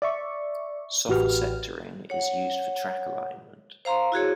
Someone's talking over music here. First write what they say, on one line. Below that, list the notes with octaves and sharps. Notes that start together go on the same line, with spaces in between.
Soft sectoring is used for track alignment.
D5 E5 C#6
A1 F#4 G4 B4 F6
C#5 F#5
C5 F5 A#5 C6
E4 F#4 G#4 C#5